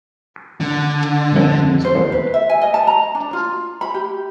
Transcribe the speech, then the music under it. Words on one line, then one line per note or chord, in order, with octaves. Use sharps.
Nothing was found.
D3
C5
B4
E5
G#5
D#5
A5
A#5
D4
F4
B5
G4